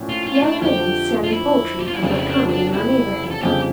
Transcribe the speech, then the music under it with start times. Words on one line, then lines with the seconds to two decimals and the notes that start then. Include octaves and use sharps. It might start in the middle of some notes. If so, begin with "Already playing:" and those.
Young women selling poultry are not common in our neighborhood.
Already playing: A#1 A2 F3 C#4
0.09 F4
0.27 F4
0.44 D4
0.62 F2 D3 F3 G4
1.24 F4
1.32 E4
1.80 G4
1.87 F4
1.95 E4
2.02 F1 F2 C#3 D4
2.10 F4
2.18 E4
2.26 D4
2.49 D4
2.73 E4
3.31 A4
3.42 G1 F2 C#3 G4